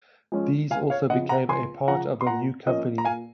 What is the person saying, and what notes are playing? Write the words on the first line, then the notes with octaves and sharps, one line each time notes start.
These also became a part of the new company.
F3 G#3 C#4
C#2 F5 G#5
C#5 F5
C#3 F3 D#5 F#5
F#5 A#5
C#2 G#5 C6
C#3 F3 F#5 A#5
C6
A#2 F#5 A#5
F3 A#3 C#4 D#5
A#5
A#2 F5 G#5